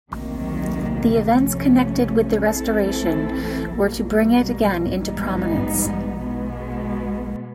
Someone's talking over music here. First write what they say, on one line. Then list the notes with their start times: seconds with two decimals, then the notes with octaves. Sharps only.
The events connected with the restoration were to bring it again into prominence.
0.12 D2 C3 D#3 F#3 A#3
1.34 C3 F3 A3 C#4
2.56 E3 A3 C4 E4 A4
3.78 B2 G3 A#3
5.00 G#2 E3 G3 B3 D#4
6.22 B2 G#3 B3